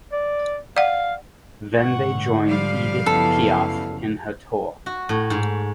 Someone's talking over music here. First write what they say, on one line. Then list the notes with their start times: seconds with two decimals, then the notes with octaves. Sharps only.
Then they joined Edith Piaf in her tour.
0.12 D5
0.77 D5 F5 F#5
1.76 G#2 D3 F#5 C#6
2.45 F3 G3 D5 F5
3.06 F#2 C#3 B3 E4 A4
4.86 F#4
5.09 A2
5.30 G#2